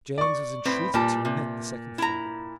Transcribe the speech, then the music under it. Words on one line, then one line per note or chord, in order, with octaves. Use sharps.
James was entreated to remit the second flogging.
D5 C#6
A2 C4 B4
A#2 G3 G4 A5
C3
E4 A#5